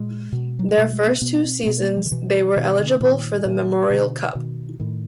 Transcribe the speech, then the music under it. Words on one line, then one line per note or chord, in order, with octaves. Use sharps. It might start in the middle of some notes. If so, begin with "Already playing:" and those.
Their first two seasons they were eligible for the Memorial Cup.
Already playing: A#2 G#3
B2
F#3
G3
B2 G#3
G#3
B3
B2 B3
C4
A#3
B2 B3
A#3
F3
D#3
B2 E3
B2 D#3
D3
A#2 D#3
A#2
B2 D3
B2 D#3
A2 D#3